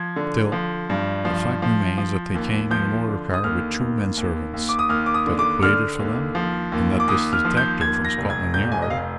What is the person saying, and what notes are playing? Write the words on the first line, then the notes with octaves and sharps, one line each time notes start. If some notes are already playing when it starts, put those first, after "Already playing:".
Still, the fact remains that they came in a motor car with two men-servants; that it waited for them; and that this detective from Scotland Yard--Mr.
Already playing: F3 G#6
D3
F3
G2
F3
F3
F3
D#2
F3 G6
D3
D#6
D#2 F6
D#2
D#2
D#2
D6
D#6
D#2 F6
D6
D#6
D3
D6
D3 F6
D#2
F3
D#2
D6
D#2 D#6
F6
F3
G6
D#2 G#6
A#6
F1
G#6
F1 G6
G#5
D#5
F1 F5